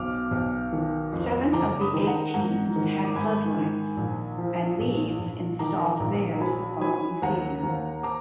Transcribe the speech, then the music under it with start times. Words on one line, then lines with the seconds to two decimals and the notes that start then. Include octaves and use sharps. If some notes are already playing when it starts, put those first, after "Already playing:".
Seven of the eight teams had floodlights and Leeds installed theirs the following season.
Already playing: B1 B2 D6 F6
0.31 B1
0.72 D#3
1.12 F2
1.53 F#1 A#5 D6
1.80 B5 D#6
1.94 D#3
2.07 F#5 A#5
2.34 G#2 F#5 A#5
2.76 D#3
3.05 D6
3.15 G#2 G#5 B5
3.57 D#3
3.97 A#1
4.38 F3
4.79 A#1
5.19 A#1
5.59 D#3 A#5 D6
6.00 A#1
6.41 F#3 G#5 B5
6.81 F#3 G#5 B5
7.22 D#2 F#5 A#5
7.63 D#2
8.03 A#5 D6